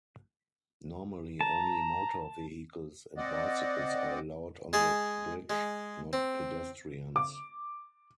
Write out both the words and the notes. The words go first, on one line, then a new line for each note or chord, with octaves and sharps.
Normally, only motor vehicles and bicycles are allowed on the bridge-not pedestrians.
A5 A#5
C4 D5 D#5 F#5
G#3 G#4 A5
G#3
C4
D6